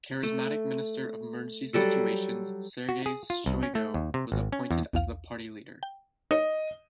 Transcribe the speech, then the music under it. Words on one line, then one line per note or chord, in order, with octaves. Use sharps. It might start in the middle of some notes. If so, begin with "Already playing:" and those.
Charismatic Minister of Emergency Situations Sergei Shoigu was appointed as the party leader.
A3
F#3 G3 A4 F#5
F#4
G#4
F4
C2
C#4
A3
D#2
C3
G#1
C#4
E2
B1 E2 F5
G5
D#4 A#4 C#5 D#5